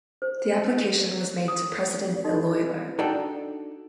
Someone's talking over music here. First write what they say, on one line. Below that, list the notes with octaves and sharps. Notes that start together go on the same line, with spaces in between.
The application was made to President Iloilo.
C5
D#6
D#4 F#4 G4 A4 D#5
D4 D#4 F#4 A4 D5 G5